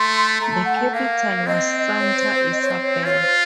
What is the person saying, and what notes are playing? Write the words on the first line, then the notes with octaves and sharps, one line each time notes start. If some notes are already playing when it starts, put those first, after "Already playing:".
The capital was Santa Isabel.
Already playing: A3 C6
A3 A#5
A5
F#5
A5
A#3 F5
C4 D#5
C#5
C5
C5
D#5
C#5
C5
C#5
F4 C#5
C5